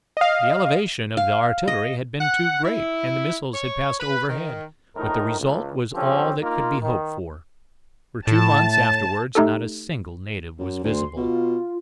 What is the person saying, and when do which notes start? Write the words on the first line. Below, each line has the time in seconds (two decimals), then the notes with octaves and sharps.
The elevation of the artillery had been too great, and the missiles had passed overhead; but the result was all that could be hoped for, for two months afterwards not a single native was visible.
0.17 D#5 F5
1.17 F5
1.68 D#5
2.21 F#5
2.64 E4
3.54 C#5
4.00 B4
4.29 D#3
4.96 A#1 A2 D#3 D#4 A#4
5.39 C#2
5.94 D3 F3 C4 C#4 G4
6.42 A#3 D#4 F4
6.81 D#3
8.27 A2 A5
9.35 A3 D#4 G4 A4
10.59 F#2
10.84 D2 C6
11.17 B2 F4